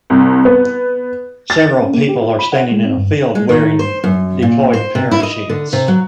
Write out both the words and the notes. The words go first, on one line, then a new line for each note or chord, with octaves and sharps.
Several people are standing in a field wearing deployed parachutes.
C2
B3
A6
C#4
A#3
G4
F4
B5
F#5
G#3
C4
G2
G#3
D#3
C5
F#2
A#2
C5
C3
E4
D#5
D3
C3
F#3